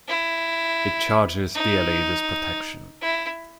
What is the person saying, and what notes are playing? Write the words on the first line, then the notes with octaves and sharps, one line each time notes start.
It charges dearly this protection.
E4
D#4
E4